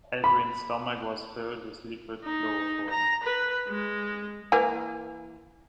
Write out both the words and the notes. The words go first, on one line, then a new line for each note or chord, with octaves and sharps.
Edwin's stomach was filled with liquid chloroform.
B5
D#4
A#5
B4
G#3
E3 A#3 G#5